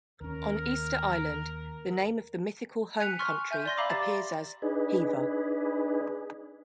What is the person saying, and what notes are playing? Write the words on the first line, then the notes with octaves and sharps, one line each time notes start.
On Easter Island, the name of the mythical home country appears as "Hiva".
D#2 C#4 A#4
G#5 F#6 B6 C#7 F7
C6 C#6 F6
E5 G#5 G6
D5 C6 A#6
E5 F5 A#5 B5 D6 E6
G4 D5 A6
D4 D#4 G#4 B4